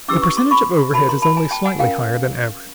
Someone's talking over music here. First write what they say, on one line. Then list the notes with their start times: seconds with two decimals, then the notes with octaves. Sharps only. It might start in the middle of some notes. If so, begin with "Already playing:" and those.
The percentage of overhead is only slightly higher than average.
0.08 C#4 E4 G4 B4 D6 E6
0.22 C#6 D#6
0.37 C6 D6
0.51 B5 C#6
0.94 F#4 A#4 C#5 A5 B5
1.09 A#5 C6
1.22 A5 B5
1.37 G#5 A#5
1.51 G5 A5
1.65 F#5 G#5
1.79 C#4 F4 A#4 F5 G5